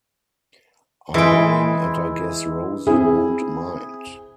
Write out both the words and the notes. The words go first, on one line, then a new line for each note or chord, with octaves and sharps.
I'm willing, and I guess Rosie won't mind.
E3 G#3 E4 G5
C4 E4 G#4